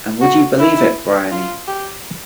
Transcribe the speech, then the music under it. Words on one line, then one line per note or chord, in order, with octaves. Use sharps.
And would you believe it, Bryony?
F#4
E4
F4
G4